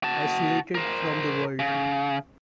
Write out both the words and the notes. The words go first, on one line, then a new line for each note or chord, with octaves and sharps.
"Isolated From The World".
F#4 A5
A#4 C5
C#3